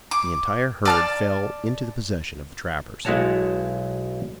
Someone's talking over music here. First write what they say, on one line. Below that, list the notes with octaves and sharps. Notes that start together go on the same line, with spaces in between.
The entire herd fell into the possession of the trappers.
D6
D5 A5 F6
B1 G#3 E4 F#4 C#5 A5